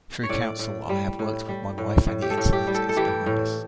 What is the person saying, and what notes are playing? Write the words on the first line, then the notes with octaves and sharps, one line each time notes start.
Through counsel I have worked with my wife and the incident is behind us.
C#5
A2 D5
A2
G3
A2
G3
A2
A2
G4
A4
A2
G4
G3
A4
A4
E3 G4
A2